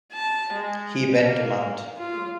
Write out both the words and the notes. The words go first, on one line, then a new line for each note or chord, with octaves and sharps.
He went to Mt.
A5
G#3
A#3
F4